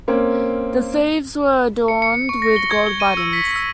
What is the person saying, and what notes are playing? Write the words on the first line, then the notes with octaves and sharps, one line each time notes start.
The sleeves were adorned with gold buttons.
A#3 C4 C#4
C#7
C#7
C#6
A#6
G7
G#6
G7
D#7
E6
B6
E6